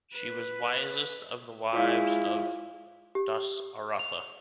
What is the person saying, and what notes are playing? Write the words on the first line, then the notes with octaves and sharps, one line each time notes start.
She was wisest of the wives of Dasaratha.
B4
G#3 E4 F4 C#5 F5
G4
F7